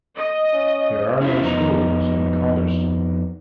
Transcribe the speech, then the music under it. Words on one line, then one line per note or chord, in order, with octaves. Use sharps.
There are no schools in Cotherstone.
D#5
C#4
C#4 E4 F4 A#4 C5 E5
F2 B3 D#4 A#5